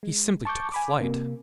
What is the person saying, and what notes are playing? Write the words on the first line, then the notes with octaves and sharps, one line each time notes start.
He simply took flight.
G#3
A5 C#6 D6 G6
G#5 B5 D6
C3 A#3